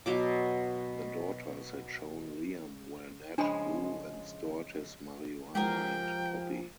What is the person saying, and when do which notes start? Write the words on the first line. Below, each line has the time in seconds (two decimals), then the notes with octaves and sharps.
The daughters had shown Liam where Ned grew and stored his marijuana and poppy.
0.06 B2 F#3 D6
3.38 C#3 F3 G#3 D4 B5
5.55 F3 G#3 G4 G#4 A#4 G5